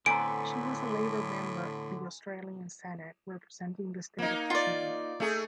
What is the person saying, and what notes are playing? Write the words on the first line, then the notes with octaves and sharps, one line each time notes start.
She was a Labor member of the Australian Senate representing the state of Tasmania.
A2 D3 B3 C4 G#5 A#5 D7
A#3 D#4
F4 D5
A3 G#4